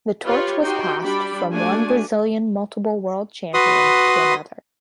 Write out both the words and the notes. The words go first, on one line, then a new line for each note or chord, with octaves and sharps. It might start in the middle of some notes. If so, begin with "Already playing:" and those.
The torch was passed from one Brazilian multiple World Champion to another.
F4 G4 B4 C#5
D#4 F#4 G4 G5 C6
G3 D4 G4 D5 B5
A3 D4 F#4 D5 G#5
F#4 B4 B5 C6 D#6